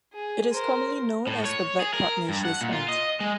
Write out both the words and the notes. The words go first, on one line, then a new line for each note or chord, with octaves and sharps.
It is commonly known as the black pugnacious ant.
G#4
A#4 C5
A2
C#5
G#4
A#4
G2
F#5
A#2
F4
D#5
G#3